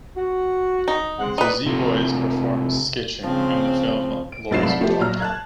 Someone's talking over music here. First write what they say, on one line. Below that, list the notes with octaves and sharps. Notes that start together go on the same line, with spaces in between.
The Z Boys perform skitching in the film "Lords of Dogtown".
F#4
D#4
G#3 C4 F#5
D#4 B4 D5
C3 C4 F4 A4 A#4
C#3 F3 C4
D7
F1 G#2 F#3 A6 C7 E7
C2 B5
F3 A3 B3 G4
A#1 F#3 A#5 F6
A5 F#6 G#6